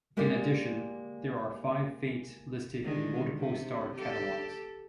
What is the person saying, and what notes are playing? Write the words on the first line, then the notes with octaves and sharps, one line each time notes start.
In addition, there are five faint listed in multiple star catalogues.
G#3 A#3 G4 G#4 D5
D3 D#3 G#3
C3
G4 A4